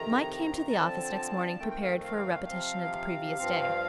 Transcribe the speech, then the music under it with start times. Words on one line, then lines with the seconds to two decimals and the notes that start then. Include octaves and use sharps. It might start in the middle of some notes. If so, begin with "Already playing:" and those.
Mike came to the office next morning prepared for a repetition of the previous day.
Already playing: F2 C3 D#3 A#5
0.70 D3 F3 C4 A5
1.59 F2 D#3 A3 C4 G5
1.70 G5
1.82 F5
2.03 F5
2.48 C3 F3 C4
3.38 G2 F3 C4